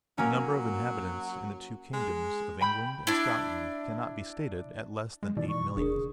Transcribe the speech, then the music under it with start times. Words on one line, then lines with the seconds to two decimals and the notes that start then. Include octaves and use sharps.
The number of inhabitants in the two kingdoms of England and Scotland cannot be stated at less than eight millions.
0.18 F#3 A#3 C#4
1.93 G#3
2.61 G5 B5 G6
3.07 D4 E4
5.23 G#3
5.37 B2 D#3 E3 D5
5.49 C#6
5.77 F1 D4 G#4 A#4
5.96 C#3